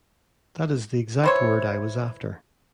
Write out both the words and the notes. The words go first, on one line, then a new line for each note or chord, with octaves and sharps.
That is the exact word I was after.
E3 C5 C#5